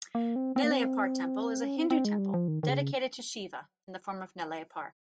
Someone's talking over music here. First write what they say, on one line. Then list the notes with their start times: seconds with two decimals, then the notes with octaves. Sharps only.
Nellaiappar Temple is a Hindu temple dedicated to Shiva in the form of Nellaiappar.
0.15 A#3
0.36 C4
0.56 C4
0.64 A#3
0.70 C4
1.63 C#4
1.77 C4
1.90 C4
2.05 G#3
2.18 G3
2.34 F3
2.48 D#3
2.63 D#3
2.68 C#3